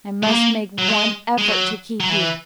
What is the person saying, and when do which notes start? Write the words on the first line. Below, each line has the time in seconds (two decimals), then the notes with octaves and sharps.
I must make one effort to keep you....
0.23 G#3
0.28 A#3
0.78 F#3
0.88 G#3
1.38 G#3
1.48 F#3
2.00 F#3
2.10 E3